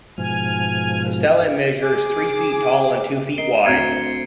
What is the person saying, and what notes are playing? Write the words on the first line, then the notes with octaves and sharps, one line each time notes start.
The stele measures three feet tall and two feet wide.
G#2 B2 F3 G#5 F6
G#4 D6
A#4 D#5 C7 D7 G7
D2 C4 A#5 G#6 C#7